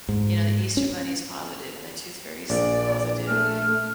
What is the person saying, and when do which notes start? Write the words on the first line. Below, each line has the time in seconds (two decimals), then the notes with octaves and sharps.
you know, the Easter bunny's positive, and the Tooth Fairy's positive,
0.09 G#2
0.77 C#4
2.50 A#1 D5
3.27 A3 F6